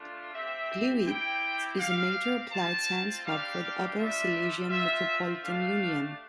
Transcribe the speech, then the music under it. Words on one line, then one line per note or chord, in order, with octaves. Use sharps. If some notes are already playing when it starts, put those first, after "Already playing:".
Gliwice is a major applied science hub for the Upper Silesian Metropolitan Union.
Already playing: A3 D4 F4
C4 G4 E5
C4 E4 G4 G5
C4 G4 F5
C4 F4 A5
G3 D4 G4 F5
G3 D4 F4 E5
C4 F4 E5
A3 D4 G4 F5